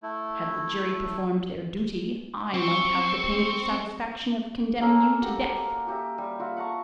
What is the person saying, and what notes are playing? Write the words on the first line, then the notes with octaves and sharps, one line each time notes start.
Had the jury performed their duty, I might have the painful satisfaction of condemning you to death.
A3 E4
C4 C#6
A#3 C#4 A4 A#4
F#4 G4 F#5
F#4 G4 A#4 E5
G3
F4 F#4 E5 F#5
F#5 A5 A#5 C#6